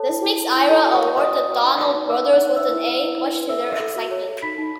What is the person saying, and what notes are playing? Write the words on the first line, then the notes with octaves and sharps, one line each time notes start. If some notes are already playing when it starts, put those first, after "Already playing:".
This makes Ira award the Donald brothers with an A, much to their excitement.
Already playing: A4 C#5 A5
E4
E4
E4
E4
F#4 A4 A5
F#4
C#5 C#6
F#4
F#4 D#5 D#6
F#4
F#4
D#4
B4
D#4
D#4 E5 E6
B4
F#5 F#6
D#4
B4 E5 E6
E4
B4
E4
E4
B4
A4 E5 E6
A4
A4
F#4
C#5
A4
D#4 B5 B6
D#4